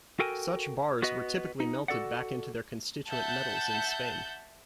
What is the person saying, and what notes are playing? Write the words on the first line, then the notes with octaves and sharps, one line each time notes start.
Such bars were typically melted back into their constituent metals in Spain.
F#4 A4 A#4 G5 G#5
B3 F#4 B4 D#5
D#4
F#4 A4 D5 F#5
E5 F#5 A5 G6